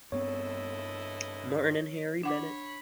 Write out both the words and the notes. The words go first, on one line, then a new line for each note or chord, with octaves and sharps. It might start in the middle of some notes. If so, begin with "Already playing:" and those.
Martin and Harry Bennett.
G2 B3 C4 E4 A4 C#5 D#5
D4 C#5 F#5 B5 D6